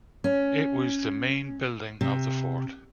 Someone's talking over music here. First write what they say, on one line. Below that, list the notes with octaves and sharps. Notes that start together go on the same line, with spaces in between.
It was the main building of the fort.
C#4
C3